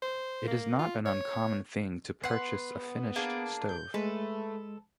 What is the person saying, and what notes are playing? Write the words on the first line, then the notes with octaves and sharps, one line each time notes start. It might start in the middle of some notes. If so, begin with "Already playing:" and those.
It is not an uncommon thing to purchase a finished stove.
C5
A#3
F4
C#5
B3 F#5 C6
A#3 D4 G#4
G6
G#3 A3 A4 B4